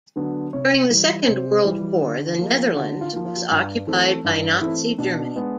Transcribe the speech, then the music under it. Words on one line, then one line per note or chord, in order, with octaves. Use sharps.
During the Second World War, the Netherlands was occupied by Nazi Germany.
D3 F#3 B3 D4
C3 C#5
E3 G3
C3 C5
E3 G3
D3
F3 A#3
D3 F#4
F4
F3 A#3
F4
G2
E3 A3 C4
G2 E4
E3 A3 C4 E4
B2 D4
G#3 B3